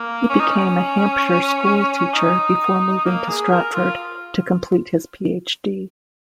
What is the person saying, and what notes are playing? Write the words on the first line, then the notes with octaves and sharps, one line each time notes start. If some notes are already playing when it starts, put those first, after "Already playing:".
He became a Hampshire school teacher before moving to Stratford to complete his PhD.
Already playing: A#3
C#4
D#4
C#4
D#4
A#3
G#4
A#4
F4